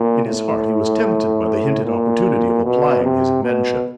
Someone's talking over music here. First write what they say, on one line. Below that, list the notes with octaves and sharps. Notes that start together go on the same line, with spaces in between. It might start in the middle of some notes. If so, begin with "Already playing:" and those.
In his heart he was tempted by the hinted opportunity of applying his invention.
Already playing: A#2
A2
A#2
B2
C3
B2